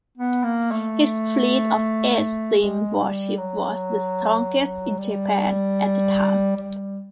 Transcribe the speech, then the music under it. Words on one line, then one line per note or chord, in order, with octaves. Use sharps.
His fleet of eight steam warships was the strongest in Japan at the time.
B3
A#3
A3
G#3
G3
F#3
G3
G3